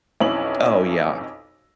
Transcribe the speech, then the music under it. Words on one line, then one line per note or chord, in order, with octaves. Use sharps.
Oh, yeah.
B1 F2 C#4 E4 C#5 F#7